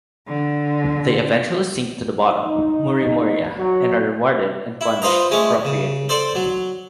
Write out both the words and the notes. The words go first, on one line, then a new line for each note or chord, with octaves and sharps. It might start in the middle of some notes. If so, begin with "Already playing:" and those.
They eventually sink to the bottom, Murimuria, and are rewarded and punished appropriately.
D3
D#4
F#3
E4
F4 B4 C5 D#5 A#5
G#3 A3 C#4
C#3
A4 C5 D5
F#3